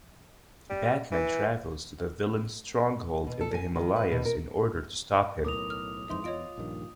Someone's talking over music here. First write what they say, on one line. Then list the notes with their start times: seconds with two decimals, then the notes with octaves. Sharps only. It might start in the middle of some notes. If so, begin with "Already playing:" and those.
Batman travels to the villain's stronghold in the Himalayas in order to stop him.
0.70 G3
1.12 E3
3.27 B2
3.41 A4
3.54 G#5
3.76 D#3
3.96 B4
4.12 B2
4.25 A#4
5.45 B1 A2 A#4 D6 D#6 F7
5.70 F6
6.09 F2 G#2 E3 D#4 E5 C6
6.24 E2 F4 C#5 D#5 D7
6.58 A#1 G2 D#3